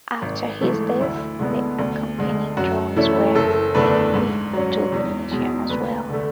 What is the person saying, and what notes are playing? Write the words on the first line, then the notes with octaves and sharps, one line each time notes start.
After his death, the accompanying drawings were bequeathed to the museum as well.
G#1
G#2 E3 A3
D2 E4
D3 G#3 B3
D2
D3 G#3
F#2 F#4
E3 A3 C#4 E4
F#1 A4
E2 D3 A3 D4 B4
G#2
F#3 C#4
E2
B2 G#3
D2 B4
D3 A3